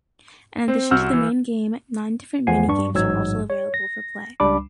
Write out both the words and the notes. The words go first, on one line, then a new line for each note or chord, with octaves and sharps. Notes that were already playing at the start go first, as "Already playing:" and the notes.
In addition to the main game, nine different mini-games are also available for play.
C4 C5
C2 F#4 F#5 E6 F6 G6
E3
E2 F3 F#5 G#5 C7
G2 D4 C#6
A1 G#2 F#3 E6 G#6
C#5
A#6
C#2 G3 D4 B5 D6